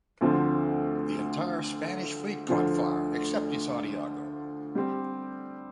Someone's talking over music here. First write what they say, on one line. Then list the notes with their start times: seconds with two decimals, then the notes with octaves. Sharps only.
The entire Spanish fleet caught fire, except the "Santiago".
0.21 D2 D3 F3 C4
2.49 D2 D3 F3
4.75 G3 C4 G4